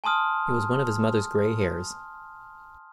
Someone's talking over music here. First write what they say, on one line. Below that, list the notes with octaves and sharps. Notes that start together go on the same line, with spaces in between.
It was one of his mother’s grey hairs.
G#5 A5 C6 D#6 F6